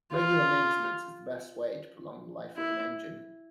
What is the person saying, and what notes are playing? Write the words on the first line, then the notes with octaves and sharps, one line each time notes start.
Regular maintenance is the best way to prolong the life of an engine.
F4
E4